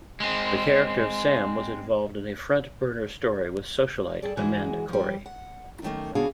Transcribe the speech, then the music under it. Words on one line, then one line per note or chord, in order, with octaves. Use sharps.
The character of Sam was involved in a front-burner story with socialite Amanda Cory.
G#3 C4
G2 G#4 A4 D5
E3 G#3 F#4 G#4
F3 G3
F#5
F#2 D3 D#3 A3 A#3
C#3 B3 D4 F#4 G#4 F5